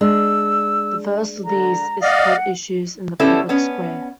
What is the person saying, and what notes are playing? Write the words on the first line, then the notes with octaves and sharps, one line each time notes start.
The first of these is called Issues in the Public Square.
G#3 D4 E6
D3 A#5
D5 D#5 F5 F#5
D3 G3 B3 C#4 E4 A4
B3 C#4